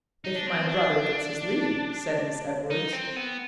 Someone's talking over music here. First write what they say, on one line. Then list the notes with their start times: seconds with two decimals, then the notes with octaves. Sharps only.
"If my brother gets his leave," said Miss Edwards.
0.24 D#4
0.36 D4
0.47 C4
0.69 D4
2.71 D#4
2.93 C4
3.16 B3